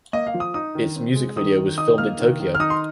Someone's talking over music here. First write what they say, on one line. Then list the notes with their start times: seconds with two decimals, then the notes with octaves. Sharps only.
Its music video was filmed in Tokyo.
0.13 A#3 D#5
0.27 F5
0.34 F3
0.40 D#6
0.54 D#4 D#6
0.75 D#3
0.96 C4
1.15 G#3
1.36 D#3 D#6
1.57 D#3
1.78 D#4 D#6
1.98 A#3 F6
2.19 D#3
2.40 D#3
2.55 F6
2.59 D#4 D#6
2.70 C6